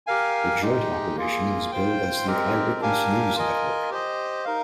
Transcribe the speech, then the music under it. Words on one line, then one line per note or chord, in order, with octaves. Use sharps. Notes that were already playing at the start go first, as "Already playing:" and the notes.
The joint operation was billed as the "Eyewitness News Network".
G4 A#4 F5 G#5
G#3 D#4 G4
A#3 F4 G#4
F4 C5 G5
G#3 C4 G4 A#4
D4 G4 A#4 F5 G#5
F4 A#4 D#5 G#5
G4 C5 D#5
D#4 A#4 F5